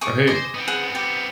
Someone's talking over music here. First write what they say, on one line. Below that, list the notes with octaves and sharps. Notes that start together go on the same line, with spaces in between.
Or hey
G#4 C#6 D6
C5 D#5 G#5 D6
B3 C4
G#4 F#5
G4